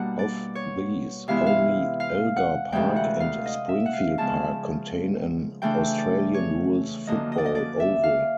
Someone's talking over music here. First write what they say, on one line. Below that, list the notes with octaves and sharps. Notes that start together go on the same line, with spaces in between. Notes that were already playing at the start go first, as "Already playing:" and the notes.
Of these, only Elgar Park and Springfield Park contain an Australian rules football oval.
Already playing: B2 G3 A#3 D4 F#5
D5
C#5
C3 E3 G#3 B3 E4 F5
E5
F5
F5
F#5
D2 C3 E3 G#3 G5
F#5
F5
D#5
E5
F#5
F5
C#3 F3 G#3 B3 A5
C#3 E3 A3 D4 G5
D5
C#5
F#2 D3 F3 A#3 D#5
D#5
D5
D#5
D5
E5
F5